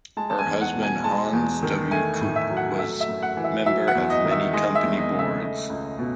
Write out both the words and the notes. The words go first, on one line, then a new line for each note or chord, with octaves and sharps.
Her husband Hans W. Kopp was member of many company boards.
G#3 A5
A5
G#5
E2
F#5
B2
G#5
G#3 A5
E2
D#3
A3 G#5
A2
E5
F#3
F#5
A3 E5
E5
F#2
F#5
E3
E5
F#3 E5
F#5
E2
D#5
D#3
E5
G#3 D#5
E5
E2
D#5
C#3
E5
A3 D#5
C#2
B2